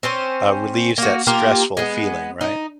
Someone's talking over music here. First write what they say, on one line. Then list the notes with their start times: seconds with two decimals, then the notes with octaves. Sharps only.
uh, relieves that stressful feeling, right?
0.03 C4 C#4 C5
0.98 A#3 F#4
1.27 A#3 F4 G4 A#4
1.77 G#3 B3
2.41 D#4